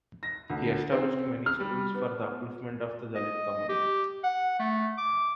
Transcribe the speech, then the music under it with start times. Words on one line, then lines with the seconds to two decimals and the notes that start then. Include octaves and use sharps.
He established many schools for the upliftment of the Dalit community.
0.23 A#6
0.50 D2
0.92 C4
1.46 F6
1.60 G3
1.94 B3
3.15 D#5
3.69 G4
4.24 F#5
4.60 A3
4.98 D6